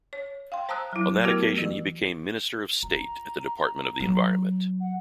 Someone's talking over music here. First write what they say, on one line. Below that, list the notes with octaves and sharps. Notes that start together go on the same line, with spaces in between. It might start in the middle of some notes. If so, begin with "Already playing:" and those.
On that occasion he became Minister of State at the Department of the Environment.
C#5
F5 G5 C6
C5 A5 A#5 D#6 E6 F#6
F#3 E4
A3 B3 E4 F#4 G4 A#4
E3
F4 A#5
F#3
F#5